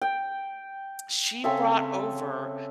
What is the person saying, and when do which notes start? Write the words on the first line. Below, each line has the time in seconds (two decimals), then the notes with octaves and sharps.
she brought over
0.02 G5
1.44 C#3 C4 A4 E5